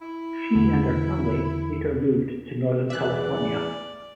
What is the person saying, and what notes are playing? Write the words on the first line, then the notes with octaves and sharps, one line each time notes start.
She and her family later moved to Northern California.
E4
E2 D3
E2 E3 D5 E5 F#6